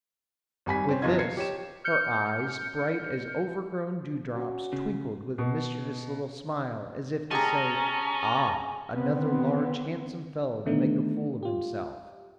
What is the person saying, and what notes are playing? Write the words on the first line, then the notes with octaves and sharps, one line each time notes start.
With this, her eyes, bright as overgrown dew-drops, twinkled with a mischievous little smile, as if to say: "Ah, another large handsome fellow to make a fool of himself."
G#1 G3 G#5 B6
C4 C#4
G1 F3 F4 D#5 G#6
G#6 C7 C#7
G4 C#5 E7
F6 G6 C#7
C#4 F#4
C#3
B2
G#3 C#4 G4 G#4 A5 A#5
D3 D#3 B3 C4
D3 D#3 A3 B3 D4 D#4
F4 G4